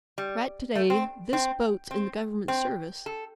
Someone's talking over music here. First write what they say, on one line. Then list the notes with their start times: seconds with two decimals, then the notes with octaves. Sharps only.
Right to-day this boat's in the government service.
0.18 G3
0.75 A3
0.90 C4
1.33 C4
1.91 C4
2.48 C4
3.06 A4